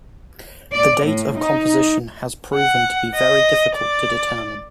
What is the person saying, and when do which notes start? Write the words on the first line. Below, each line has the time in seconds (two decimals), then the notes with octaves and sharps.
The date of composition has proven to be very difficult to determine.
0.72 D5
1.05 A2
1.38 D#4
2.54 F#5
3.14 D#5
3.76 D5